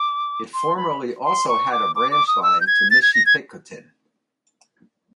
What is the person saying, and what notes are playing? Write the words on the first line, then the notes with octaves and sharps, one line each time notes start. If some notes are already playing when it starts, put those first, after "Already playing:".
It formerly also had a branch line to Michipicoten.
Already playing: D6
C6
B5
C6
C#6
D6
D6
D6
D#6
E6
G6
G#6
A6
G#6
A#6
G#6